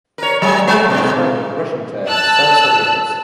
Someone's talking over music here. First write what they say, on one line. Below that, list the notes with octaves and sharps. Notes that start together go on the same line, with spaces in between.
Both are describing the Russian term "selsoviet".
A#4 C#5
F#3 G#4
G#3
G#2 B2
A5 E6 F#6